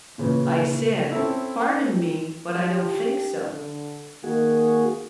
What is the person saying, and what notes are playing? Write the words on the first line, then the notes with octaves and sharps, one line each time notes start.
I said 'Pardon me, but I don't think so.
A#2 C#3 E3
C4 C#4 E4 A4
G4
D3
D#3 A#3 F#4 G#4